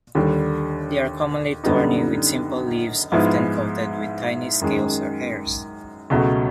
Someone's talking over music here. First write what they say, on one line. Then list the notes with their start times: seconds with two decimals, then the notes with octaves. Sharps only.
They are commonly thorny, with simple leaves often coated with tiny scales or hairs.
0.15 D#2 D3 G3
1.64 F#2 D3 G3 B3 D#4
3.12 G#2 F3 G#3 B3 E4
4.61 F#2 D#3 G#3
6.10 C#2 B2 F#3 A3